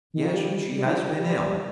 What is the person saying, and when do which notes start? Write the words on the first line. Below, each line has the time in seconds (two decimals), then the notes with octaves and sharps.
"Yes, she has been ill."
0.14 D#3
0.24 F3
0.34 G3
0.76 G3
0.86 D#3
0.90 F3
1.04 G3
1.18 G3